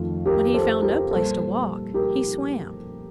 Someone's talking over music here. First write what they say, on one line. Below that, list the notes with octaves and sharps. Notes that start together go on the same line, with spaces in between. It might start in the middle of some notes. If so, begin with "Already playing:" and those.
When he found no place to walk, he swam.
Already playing: F2 D#3 A3 F4
G4 A#4
A4 C5
G4 A#4
A#2 G3 A4 C5
G4 A#4